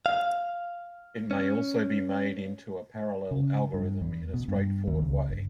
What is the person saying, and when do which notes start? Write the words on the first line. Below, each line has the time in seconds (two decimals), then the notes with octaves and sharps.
It may also be made into a parallel algorithm in a straightforward way.
0.06 F5
1.31 C#4
3.31 C#3
3.74 G2
4.01 E2
4.34 B2
4.48 G2
4.87 D#2
5.02 C#2
5.29 G1